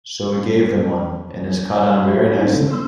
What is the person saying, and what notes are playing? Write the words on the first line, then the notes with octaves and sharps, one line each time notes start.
So we gave them one, and it's caught on very nicely.
F#4 G4 E5 F5 B5
C#4 D#4 E4 C5
C#3 G#3 B3 C#4 A4
C6 E6